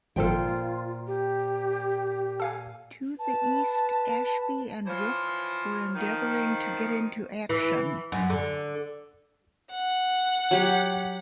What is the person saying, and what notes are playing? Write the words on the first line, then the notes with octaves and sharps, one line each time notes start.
To the east, Ashby and Rooke were endeavouring to get into action.
G#1 A#2 F3 F4 A4 C5 G5
G4
A4 F5 G#5
B4 A5
E3 F3 F4 C5 C#5
D#3 F3
E3
F#2
D3
F#5
F#3 G4